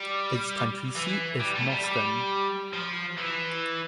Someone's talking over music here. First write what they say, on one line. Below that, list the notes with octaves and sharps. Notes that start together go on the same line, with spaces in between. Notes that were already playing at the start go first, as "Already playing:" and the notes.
Its county seat is Mauston.
Already playing: G3
E3
G3
A3
G3
G3
F3
E3